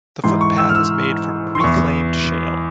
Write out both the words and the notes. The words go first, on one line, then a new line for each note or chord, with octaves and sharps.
The footpath is made from reclaimed shale.
G#2 E3 C6
C#6
E6
F6
E6
C6
E2 E3 C#6